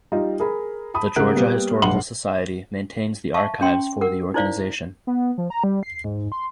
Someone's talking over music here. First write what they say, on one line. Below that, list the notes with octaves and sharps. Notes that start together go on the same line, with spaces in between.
The Georgia Historical Society maintains the archives for the organization.
G3 D#4 F4
G#4 A#4 B5
A5 B5 D#6
C#3 G3 A#4 F#5 F#6 D7
G3 A#3 B3
B1 G2 F#5 B5 C6 F#7
E5 F5 A5 C#6
C#4 G5 C6
A#4 F#5
D#4 E4 C5 D5 F5
B3
F3
A#5
G3
C7
G#2
C6